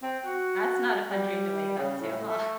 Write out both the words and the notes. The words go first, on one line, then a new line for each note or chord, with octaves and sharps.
That's not a fun dream to wake up to, huh?
C4
F#4
G3
C#3
A2
A3